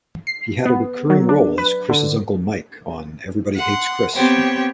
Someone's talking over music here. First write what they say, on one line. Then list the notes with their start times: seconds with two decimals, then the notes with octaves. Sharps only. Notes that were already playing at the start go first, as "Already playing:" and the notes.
He had a recurring role as Chris' Uncle Mike, on "Everybody Hates Chris".
0.27 C7
0.66 B3
1.10 F#3
1.29 D4
1.58 B4
1.90 D3
3.55 F#5 C6
4.14 B3 C4 G4 C5 C#5 G5